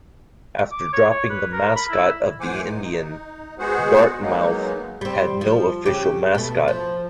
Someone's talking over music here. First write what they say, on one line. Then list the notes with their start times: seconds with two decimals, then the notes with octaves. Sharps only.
After dropping the mascot of the Indian, Dartmouth had no official mascot.
0.72 D6
0.93 C#5
1.11 C#5
1.30 B4
1.53 A#4
1.76 B5
1.90 E4
2.40 A2 E3 C5 F#5 G#5 D6
2.67 D#4
3.59 G#3 B3 F#4 G#4 C5 F#5
4.20 F#3 G#3 A#3 B3 D#4
5.01 G3 C4
5.41 F3
5.86 C#3 G4
6.35 B2 A3
6.68 F3